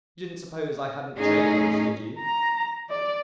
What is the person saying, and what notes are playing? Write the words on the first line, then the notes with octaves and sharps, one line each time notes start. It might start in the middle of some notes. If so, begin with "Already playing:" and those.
"You didn't suppose I hadn't changed, did you?"
A2 C#4 D#4 G#4
A#5
D5